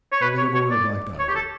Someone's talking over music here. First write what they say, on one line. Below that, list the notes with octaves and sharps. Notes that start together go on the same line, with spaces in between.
'Only aboard the Black Diamond.
C#5
B4
C#5
C#5
D5
C#5
G4
A4